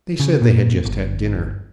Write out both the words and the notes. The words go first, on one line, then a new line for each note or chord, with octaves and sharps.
They said they had just had dinner.
C#3
A#2
G1